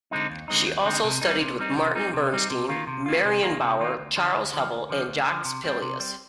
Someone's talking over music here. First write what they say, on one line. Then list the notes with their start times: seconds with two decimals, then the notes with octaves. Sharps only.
She also studied with Martin Bernstein, Marion Bauer, Charles Haubiel, and Jacques Pillois.
0.11 D3 G#3 C4 D#4
0.30 D#2
0.48 D3 G#3 C4 D#4
0.66 D#2
0.85 D3 G#3 C4 D#4
1.04 C3
1.21 G3 C4 D#4
1.41 C3
1.59 G3 C4 D#4
1.77 C3
1.95 G3 C4 D#4
2.13 C3
2.33 G3 C4 D#4
2.50 C3
2.68 D#3 A#3 F4
2.87 C3
3.06 D#3 A#3 F4
3.25 C3
3.42 D#3 A#3 F4
3.61 C3
3.80 D#3 A#3 F4
3.98 D2
4.16 D3 F3
4.35 D2
4.53 D3 F3
4.72 D2
4.89 D3 F3
5.08 D2
5.27 D3 F3
5.45 C3
5.64 G3 C4
5.82 C3
6.00 G3 C4